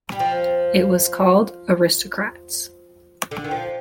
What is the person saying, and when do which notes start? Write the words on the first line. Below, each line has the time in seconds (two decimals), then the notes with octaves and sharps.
It was called "Aristocrats".
0.12 G3
0.20 F3
3.31 D3
3.44 D#3
3.51 F3